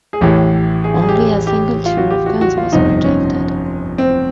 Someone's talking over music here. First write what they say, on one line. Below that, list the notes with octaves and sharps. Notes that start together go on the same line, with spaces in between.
Only a single tier of guns was projected.
G#4
A1 A2 E3 G4
G#4
G#4
G4
G#4
G4
F4
F#4
G4
F#4
F#4
F4
G1 F2 C3 D#4
C#4
C4